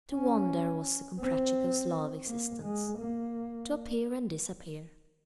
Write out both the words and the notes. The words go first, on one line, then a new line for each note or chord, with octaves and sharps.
To wander was the Comprachicos' law of existence--to appear and disappear.
C#4
C4
A#3
G#3
A#3